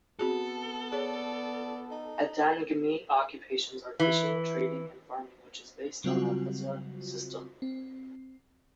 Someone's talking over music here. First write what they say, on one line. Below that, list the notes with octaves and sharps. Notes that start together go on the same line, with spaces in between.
Adangme occupations are fishing, trading and farming which is based on the huza system.
B3 C4 F#4 G#4 A4
G#4 C#5 D5
D#4
E3
C#3 F#3 G3 C4 F4 F#4
C4